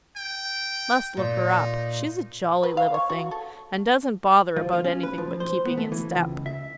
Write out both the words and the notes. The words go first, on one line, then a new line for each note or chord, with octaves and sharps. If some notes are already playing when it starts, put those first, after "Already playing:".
Must look her up; she's a jolly little thing, and doesn't bother about anything but keeping in step.'
G5
A#2 D#4
B4
F5
C#5
F#4
A4
F3
F4
C#4
B4
F3
C5
B3
A3
E3
C#2
E5